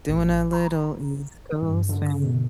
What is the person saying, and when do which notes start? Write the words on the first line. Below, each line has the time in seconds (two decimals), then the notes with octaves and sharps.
doing a little East Coast swing,
0.09 A1
0.53 A#5
1.62 G2
1.89 D3
2.24 B2